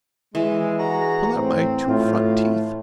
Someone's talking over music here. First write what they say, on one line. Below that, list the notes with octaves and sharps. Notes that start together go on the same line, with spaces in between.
Pull out my two front teeth!
E3 G#3
F#4 G#4 A#5
A2 C4
A2 F4